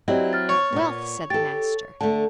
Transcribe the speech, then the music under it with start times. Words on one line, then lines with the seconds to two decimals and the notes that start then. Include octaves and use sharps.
Wealth, said the Master.
0.08 F#3 C4 E4 G4 D5 D#5
0.33 F6 A6
0.49 C#5
0.72 A#2 B3
1.30 G4 A4 A6
2.01 D3 A3 A5